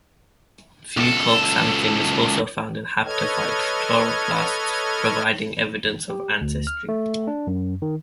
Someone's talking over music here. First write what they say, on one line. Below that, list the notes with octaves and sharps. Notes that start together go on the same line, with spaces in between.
Fucoxanthin is also found in haptophyte chloroplasts, providing evidence of ancestry.
C#2 A4
A4 B4 C#5 D#5 F6 G#6
G4
D2
F6
A3
D4
F#2
D#3